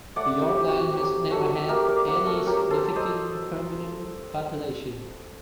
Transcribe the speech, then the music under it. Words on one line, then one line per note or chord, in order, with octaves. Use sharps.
Fiordland has never had any significant permanent population.
A3 D5 F#5
G4
C4
F#4
F#3 G4
F#3 F#4 A4
A3 G4 A#4
A#4 D5
C4 D5 F#5
F#4 A4
F#3 G4 A#4
A4 C5
F#3
C5 D#5